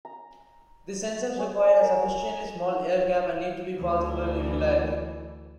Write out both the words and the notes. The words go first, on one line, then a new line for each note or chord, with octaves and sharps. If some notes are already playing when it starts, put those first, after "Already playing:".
These sensors require a sufficiently small air gap and need to be particularly reliable.
A#5
G#4 C#5
A#4
D2 E3